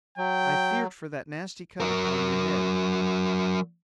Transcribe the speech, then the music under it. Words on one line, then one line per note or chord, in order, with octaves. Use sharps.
"I feared for that nasty cut upon your head."
F#3 G5
F#3 A#4